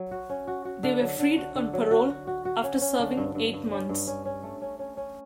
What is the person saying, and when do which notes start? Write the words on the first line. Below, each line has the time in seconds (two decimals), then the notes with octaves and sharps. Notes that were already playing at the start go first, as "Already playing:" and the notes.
They were freed on parole after serving eight months.
Already playing: F#3
0.11 F#4
0.29 C#4
0.47 F#4
0.65 F#4
0.83 D3
1.01 F#3
1.19 D3
1.38 F#4
1.55 D3
1.73 F#3
1.91 F#4
2.10 F#4
2.27 F#4
2.45 F#4
2.63 C#4
2.81 C#4
2.99 D3
3.17 G2
3.35 G2
3.53 G2
3.72 C#4
3.89 G2
4.07 C#4
4.25 C#4
4.43 A3
4.61 C#4
4.79 C#4
4.97 C#4